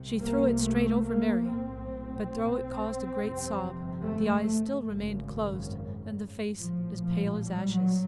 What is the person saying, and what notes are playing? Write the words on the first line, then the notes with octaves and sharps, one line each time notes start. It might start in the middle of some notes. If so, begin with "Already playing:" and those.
She threw it straight over Mary; but though it caused a great sob, the eyes still remained closed, and the face as pale as ashes.
Already playing: C2 C3
A#3
A3
A#3
B1 A2 C4
G1 F2 C3
A3
G#1 F#2 C#3
A#1 A2 F3
F3
G3
F#3